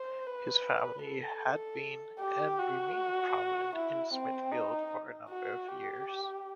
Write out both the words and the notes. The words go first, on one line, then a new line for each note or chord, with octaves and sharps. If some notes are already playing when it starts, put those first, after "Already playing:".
His family had been and remained prominent in Smithfield for a number of years.
Already playing: C5
B4
A4
G4
F#4
E4
C4
D#4
F#4
G4